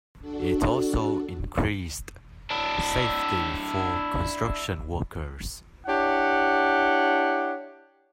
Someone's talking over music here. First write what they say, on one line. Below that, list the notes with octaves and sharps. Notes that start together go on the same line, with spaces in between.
It also increased safety for construction workers.
D4 F#4 A4
D4 E4
D4 E4 G4 C#5 F#5